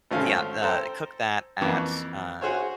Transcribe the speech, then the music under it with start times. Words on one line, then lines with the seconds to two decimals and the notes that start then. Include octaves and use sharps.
but, yeah, uh, cook that at, uh,
0.11 G#1 F3 A3 C#4 F5
0.62 A4 C5 G5 A5 A#5
1.61 F2 E3 A#3 C#6 D6
2.41 F#4 G#4 C5 C#5